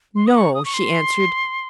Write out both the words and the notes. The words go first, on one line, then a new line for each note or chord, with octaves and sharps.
"No," she answered.
C6
D#6
C#6
D#6
C#6
C6